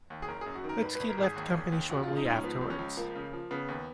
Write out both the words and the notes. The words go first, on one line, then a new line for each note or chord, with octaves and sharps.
Putski left the company shortly afterwards.
D#2
G#4
F#1 A#4
F#2 G#4
F#4
D#3
A#4
G#1 B4
G#1 B4
A#4
G#1 G#4
D#2
D#2
D#2
A#1 F#4
F3 F4
D#4
G#2 C#4
F3 B3
C#2
C#4
C#2
F3 A#3
C#3
F3
C#3 B3
D#2